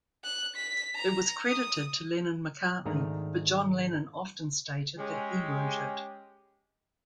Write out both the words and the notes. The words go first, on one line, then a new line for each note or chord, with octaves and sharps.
It was credited to Lennon-McCartney, but John Lennon often stated that he wrote it.
F#6
B6
A#5
D#6
G#2 D#3 A3 D4 A#5
G#3 C#4 G4